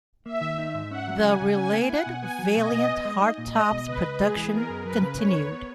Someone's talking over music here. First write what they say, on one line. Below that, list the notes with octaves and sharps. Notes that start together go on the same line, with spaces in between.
The related Valiant hardtop's production continued.
A#3 E5
D#3
D#4
G#2
C#4 F#5
F#3
C#3 G#5
C#3
C#4 G#5
A#3
E4 F#5
B2
B3 G#5
F#3
B2 D#5
B2
B3
G#3
D#4
A#2
G#3 D#5
B2
C#2 B4
C#2
G#3 G#4
E3
B3 A#4
F#2
F#3 B4
C#3
C#4 C#5
D#2
B3